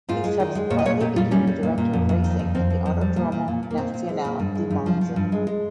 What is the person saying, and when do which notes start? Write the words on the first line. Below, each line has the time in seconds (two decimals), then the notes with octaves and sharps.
He subsequently became the director of racing at the Autodromo Nazionale di Monza.
0.09 G#2 F4
0.24 G#3
0.40 D#3
0.55 G#3
0.70 A#2 C#5
0.79 D#5
0.85 A#2 C#5
1.01 A#2 G4
1.16 G3 F4
1.31 G3 C#4
1.47 G3
1.63 A#2
1.78 A#2
1.93 F2
2.09 F2
2.24 D#3
2.39 F2
2.55 F2 C4
2.71 F2
2.86 F2
3.01 G3
3.16 A#2
3.32 A#2
3.48 A#2
3.63 A#2
3.71 A#3
3.78 A#2 C4
3.94 A#2
4.09 G#3
4.25 A#2
4.40 G2
4.55 G#3
4.70 G2
4.86 F3
5.01 F3
5.16 G2
5.32 G#3
5.47 G#3